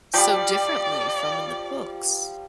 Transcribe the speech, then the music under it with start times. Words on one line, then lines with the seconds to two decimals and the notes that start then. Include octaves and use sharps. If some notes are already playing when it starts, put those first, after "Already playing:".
so differently from in the books.
0.14 F3 G3 D5 G5